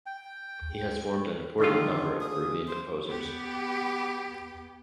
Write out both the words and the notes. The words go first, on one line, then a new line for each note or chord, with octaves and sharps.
He has formed an important number of Peruvian composers.
G5
D3 D#3 F4
G#4
C5
B3 G4